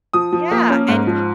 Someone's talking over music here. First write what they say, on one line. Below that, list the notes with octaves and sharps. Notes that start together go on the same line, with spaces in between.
Yeah, and
F3 D#6
F3
A#3
C#4
G#2
F3